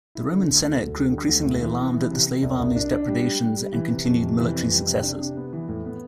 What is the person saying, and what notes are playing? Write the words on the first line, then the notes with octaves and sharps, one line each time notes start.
The Roman Senate grew increasingly alarmed at the slave-army's depredations and continued military successes.
E4
D3
D2
A3
D2
G3
D3
D2
A2
E3
B3
E3
C3
C3
C2
C2
D4
D4
G3
G3
G3
G3
E3
C3
F2
C3
E3
F2
G3
C3
D4
C3
B3
E3
A2
B3